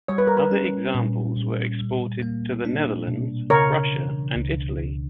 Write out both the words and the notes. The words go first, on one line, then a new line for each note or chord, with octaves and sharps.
Other examples were exported to the Netherlands, Russia and Italy.
G3 C#5
B4
A#4
B4
C#4
A#2
A#2
G3
A#3
D4
B2
C#3 A#4 C#5
E3
C#2
C#2